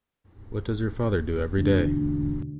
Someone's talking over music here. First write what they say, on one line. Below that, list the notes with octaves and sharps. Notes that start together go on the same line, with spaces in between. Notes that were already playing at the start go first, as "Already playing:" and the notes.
What does your father do every day?
E1 D2 D4